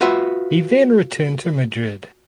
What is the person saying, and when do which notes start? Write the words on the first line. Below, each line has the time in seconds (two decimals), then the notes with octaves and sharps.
He then returned to Madrid.
0.01 F4 F#4 B4 E5